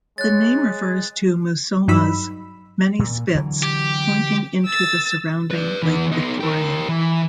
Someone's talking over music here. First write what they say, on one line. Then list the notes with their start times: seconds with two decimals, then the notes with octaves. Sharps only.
The name refers to Musoma's many spits pointing into the surrounding Lake Victoria.
0.18 G#3 C#5 F#6 A6
1.88 G2 F#3 D#4 B5 E6
2.99 A#2
3.35 D3 E3 F#3
3.63 G4
4.66 E6 A6
5.51 B4 D5
5.83 E3 B3
6.12 B3 D#4
6.41 G4 A#4
6.89 E3